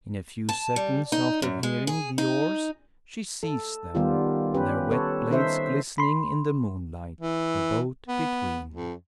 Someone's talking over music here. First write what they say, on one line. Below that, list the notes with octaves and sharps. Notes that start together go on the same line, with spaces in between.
In a few seconds after hearing the oars she sees them, their wet blades glistening in the moonlight, the boat between.
A5
G3
D#4
F#2
G#3
G#4
D#4
A4
D#3 G3 B3 F4 G4
C#4 G4 B4
A4 B4 C#5
D#3 D#4 A4 C5 E5
B5 C6
E3
B3
F2